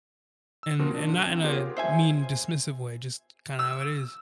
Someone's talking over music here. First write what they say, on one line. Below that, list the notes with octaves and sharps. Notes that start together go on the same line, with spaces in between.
And and not in a mean, dismissive way, just kinda how it is.
E6
B2 F3 A#3 C4 F4 A#4
D4
D3
D#2 C4
B3 F4 G4 G#4 A#4 C#5
C5 E5 G#5
E6